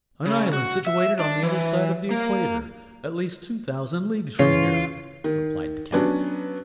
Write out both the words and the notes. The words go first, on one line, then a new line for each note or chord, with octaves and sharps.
"An island situated on the other side of the equator, at least two thousand leagues from here," replied the count.
C#3
F#4
E5
D4
E3
A#3
C#3 E3 C#4 F4
D#3
F#3 B3 C#4 D4